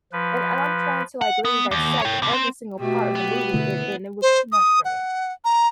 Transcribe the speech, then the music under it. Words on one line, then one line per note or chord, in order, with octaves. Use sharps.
and and I'm trying to, like, literally dissect every single part of the movie and and it was too much for me.
F3 B4
F#5
B3
D#2
C#5 G5
D#2 C3
C4
B2 A3 F#4 G4
B3
B2 D3 E3 A3
C5
D#6
F#5
A#5